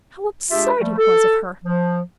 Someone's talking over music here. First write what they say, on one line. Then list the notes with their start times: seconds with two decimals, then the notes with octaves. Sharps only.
How absurd it was of her!
0.51 G#3 D4 F4 G4 G#4 E5
0.79 F3 G3 A3
0.98 A4
1.64 F3